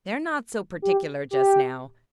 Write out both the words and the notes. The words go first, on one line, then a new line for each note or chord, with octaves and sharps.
They're not so particular just now.
G4
G4